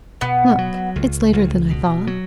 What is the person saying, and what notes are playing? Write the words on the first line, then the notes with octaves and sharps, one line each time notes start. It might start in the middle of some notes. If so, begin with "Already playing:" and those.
'Look! it's later than I thought.
B2 B3
F#3
C#2
C#2
B2
F#3